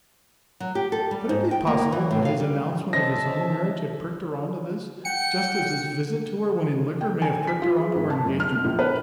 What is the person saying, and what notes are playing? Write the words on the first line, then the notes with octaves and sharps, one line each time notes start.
Could it be possible that his announcement of his own marriage had pricked her on to this, just as his visit to her when in liquor may have pricked her on to her engagement?
F#3
G4
A4
G3
G#2
G5
A#3
E3
A2
F5
G3
C#4 C5 D#5 E5 A5 A#6
F#5 G5 C#7
G5
G#5
B6
F4
G#4
G#1
A5
F#2
F6
B2
A#1
B4